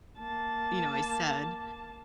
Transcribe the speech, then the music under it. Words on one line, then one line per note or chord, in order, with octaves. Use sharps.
you know, I said"
A#3 A5